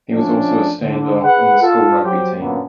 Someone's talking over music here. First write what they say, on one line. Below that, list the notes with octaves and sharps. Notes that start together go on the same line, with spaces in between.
He was also a stand-off in the school rugby team.
F3 A3 C#4 D4
D3
G#4 B4 F#5
F4 A4
F#3 G4 C5
F#2 A#2 D3 A#3 B3 C#4